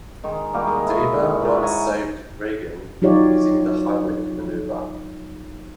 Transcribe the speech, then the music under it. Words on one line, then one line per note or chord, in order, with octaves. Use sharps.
Deaver once saved Reagan using the Heimlich maneuver.
D#3 G#3
G3 A#3 F#4 G5
G#3 D#4 A#4
E4 G#4 C#5
G#2 F#4 B4 B5
C#5 G#5 A#5
F#3 D#4 F4 G4 C#5 D5